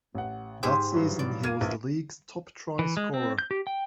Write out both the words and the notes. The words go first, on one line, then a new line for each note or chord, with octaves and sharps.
That season he was the League's top try-scorer.
A1 F#5
G#2 G4 G#4 C5
G2 E3 F#3
D5
A#3 F6 G#6 D#7
A#1 E3
E3
G#3
C4
G6
G4
G5